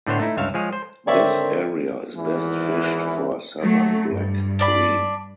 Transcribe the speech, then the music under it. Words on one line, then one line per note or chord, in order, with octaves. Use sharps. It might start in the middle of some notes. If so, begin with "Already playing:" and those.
This area is best fished for Southern Black Bream.
A2 D3 A3 B3 C5 C#5
A3 D#4 E4
C#2 G2 C#5 E5 F5
F3 G#3 G#4 C#5
C5
G#1 D3 C4 A#4 C#5 D5 E5
G#1 E2 E3
F#3 A3
G2
D4 D5 B5